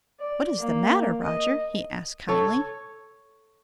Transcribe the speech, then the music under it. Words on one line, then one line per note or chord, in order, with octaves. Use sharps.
"What is the matter, Roger?" he asked kindly.
D5
A#3
D#5
A4 C#5